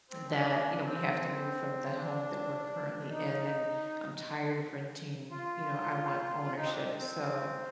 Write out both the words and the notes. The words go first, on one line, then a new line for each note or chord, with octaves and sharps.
That, you know, we have to move from the home that we're currently in, and I'm tired of renting, you know, I want ownership, so,
C4
D4
C4
C4
D4
D4
D#4
F4
F4
D#4
C4
D4
C4
C4